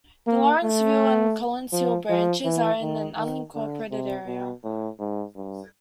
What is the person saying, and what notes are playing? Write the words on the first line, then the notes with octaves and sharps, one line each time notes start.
The Lawrenceville and Collins Hill branches are in an unincorporated area.
A#3
A3
F3
F3
E3
D#3
D#3
D3
C3
B2
A2
G#2
G2